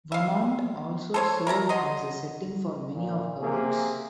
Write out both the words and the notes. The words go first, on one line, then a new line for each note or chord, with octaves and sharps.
Vermont also served as the setting for many of her books.
E5 F5
A4 C5 C#5
A#4 E5 A5 A#5
F#3 D#5 C6
A#2
C3 A#3 G#4